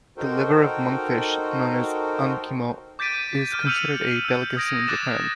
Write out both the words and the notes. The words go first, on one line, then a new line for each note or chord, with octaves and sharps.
The liver of monkfish, known as "ankimo", is considered a delicacy in Japan.
D#4 F#4 A4 A#4 C5 G5
D6 G6 A6 B6 D7 D#7
D6 F6 G6 D#7
E6 F6 C#7 D#7 F7 F#7
E6 G6
D#6 G#6 A#6 D7
D6 D#6 F#6 A6 E7